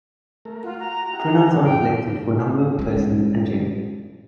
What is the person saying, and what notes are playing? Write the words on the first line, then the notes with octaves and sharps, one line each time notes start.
Pronouns are inflected for number, person, and gender.
A3 A#4
F4 F#4
A#5
E4 G4 F#5
F2 A2 F#3 G5
G#3 C#4